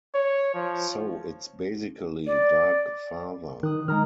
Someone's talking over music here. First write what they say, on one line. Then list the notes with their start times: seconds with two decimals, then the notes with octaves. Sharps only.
So it's basically Dark Father.
0.14 C#5
0.54 F3
2.27 D5
3.63 D#3 D#6 F#6
3.88 D#3 G#3 A#5 F6